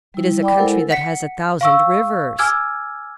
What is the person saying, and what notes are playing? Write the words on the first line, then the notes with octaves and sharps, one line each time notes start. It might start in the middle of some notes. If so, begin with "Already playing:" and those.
It is a country that has a thousand rivers.
G3 E4
D5 G5 B5 D6
G#3 E4 A4 A#4 C5 F#5
F#5 B6 C#7
F5 C#6 E6
G#5 D6 E6 F6 G#6